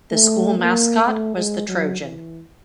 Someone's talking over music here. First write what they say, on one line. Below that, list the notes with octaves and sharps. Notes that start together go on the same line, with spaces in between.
The school mascot was the Trojan.
A3
A#3
A3
G#3
F#3
E3